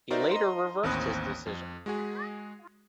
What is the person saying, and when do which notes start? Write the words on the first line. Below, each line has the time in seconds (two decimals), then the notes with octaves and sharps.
He later reversed his decision.
0.10 D#4 F#4 A#4 C5 D5 E5
0.31 D#5 A#5 C6
0.83 A1 D#2 C4 B5 D#6 F#6
1.46 F2
1.86 G#3 F#4 G#4